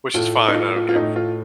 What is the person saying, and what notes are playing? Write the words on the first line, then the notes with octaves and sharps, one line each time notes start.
which is fine, I don't care,
A2 A3 F4
D#4
F4
F4
F4
A2 A3 D#4
F4